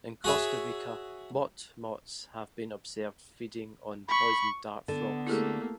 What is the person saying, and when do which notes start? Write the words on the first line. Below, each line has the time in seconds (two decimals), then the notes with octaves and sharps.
In Costa Rica, motmots have been observed feeding on poison dart frogs.
0.24 F#4 G#4 C#5 E5
4.08 B5 C#6
4.88 D3 B3
5.27 A3 A#3 E4 G4 G#4